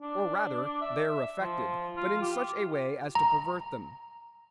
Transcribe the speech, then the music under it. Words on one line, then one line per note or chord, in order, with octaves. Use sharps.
Or rather, they are affected, but in such a way as to pervert them.
D4
E5
F3
F4
G4
A#5